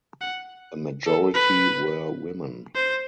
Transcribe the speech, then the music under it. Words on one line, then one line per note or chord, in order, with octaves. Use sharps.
A majority were women.
F#5
A4
B4
C5